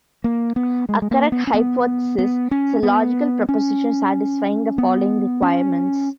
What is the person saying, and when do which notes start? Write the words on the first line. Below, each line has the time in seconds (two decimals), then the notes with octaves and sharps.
A "correct hypothesis" is a logic proposition satisfying the following requirements.
0.24 A#3
0.56 B3
0.89 G#3
1.02 G#3
1.11 A#3
1.32 B3
1.47 C#4
1.54 B3
2.19 B3
2.51 C#4
2.83 B3
3.49 C#4
4.78 B3
5.42 C#4